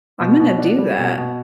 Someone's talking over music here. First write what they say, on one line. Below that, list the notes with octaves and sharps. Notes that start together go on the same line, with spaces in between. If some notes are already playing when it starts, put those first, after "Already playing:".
I'm gonna do that.
B2
B2
D4
G3
B2
B2